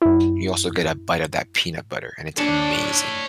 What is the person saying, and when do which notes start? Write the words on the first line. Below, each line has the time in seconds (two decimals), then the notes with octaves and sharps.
you also get a bite of that peanut butter, and it's amazing.
0.02 F#2 E4
2.39 D4 C#5 A5